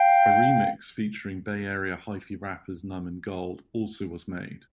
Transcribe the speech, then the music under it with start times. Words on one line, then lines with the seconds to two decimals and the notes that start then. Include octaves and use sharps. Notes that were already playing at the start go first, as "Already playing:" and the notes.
A remix featuring Bay Area hyphy rappers Nump and Gold also was made.
Already playing: F5 G5